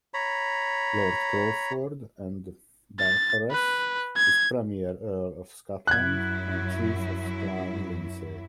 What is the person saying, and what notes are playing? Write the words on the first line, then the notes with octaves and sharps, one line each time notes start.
Lord Crawford and Balcarres is Premier Earl of Scotland and Chief of Clan Lindsay.
C#5 A#5 B5
A6
B4
G#6
F#2 F#3 E4 F#6 G#6